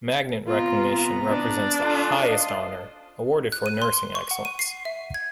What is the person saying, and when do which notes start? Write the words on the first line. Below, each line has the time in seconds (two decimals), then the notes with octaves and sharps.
Magnet recognition represents the highest honor awarded for nursing excellence.
0.47 C3 B3 F4 A#5
1.29 D4
1.81 F4 A4
2.25 C5 D#5 F5
3.52 F#6
3.66 D#7
3.82 C6
4.15 C#6
4.31 F#5
4.45 D#7
4.59 C7
4.85 E5
5.14 G#6